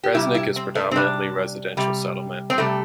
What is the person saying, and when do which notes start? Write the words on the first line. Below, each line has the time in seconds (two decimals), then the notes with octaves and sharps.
Resnik is predominantly residential settlement.
0.04 G4
0.15 C3 G3 E4
0.35 E4
0.56 C4
0.75 A3
0.91 C4
0.96 C3 G3 D4
1.77 C3 G3
2.50 C4
2.58 C3 G3 A3